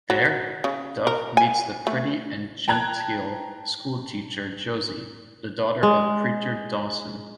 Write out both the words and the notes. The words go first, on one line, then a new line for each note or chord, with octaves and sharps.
There, Duff meets the pretty and genteel schoolteacher Josie, the daughter of Preacher Dawson.
F#3
C#3
A#4
G#5
A3
G5 A5 A#5 F#6 G#6
G#3